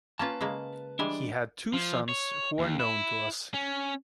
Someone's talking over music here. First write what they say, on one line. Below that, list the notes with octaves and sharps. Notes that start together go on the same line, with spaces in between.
He had two sons who are known to us.
A#3 C#4 F4 B4 A5
C#3 G#3 A#3
E3 G3 G#3 D4
F3
C#5
D#2
E4
C#4